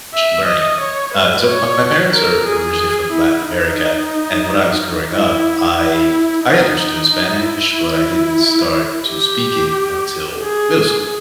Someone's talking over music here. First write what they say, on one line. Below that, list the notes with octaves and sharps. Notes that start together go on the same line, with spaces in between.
Ch learning. Uh, so my parents are originally from Latin America. And when I was growing up, I I understood Spanish, but I didn't start to speak it until middle school.
E5
D#5
C#5
B4
C#5
A#4
G#4
E4
D#4
E4
E4
D#4
D#4
E4
G4
G#4